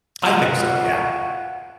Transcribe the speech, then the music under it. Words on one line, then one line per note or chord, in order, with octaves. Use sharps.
I think so, yeah.
F4 F#4